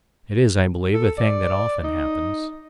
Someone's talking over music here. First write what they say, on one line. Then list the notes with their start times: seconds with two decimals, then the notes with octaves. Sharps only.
It is, I believe, a thing that often happens.
0.94 A4
1.18 D5
1.84 D#4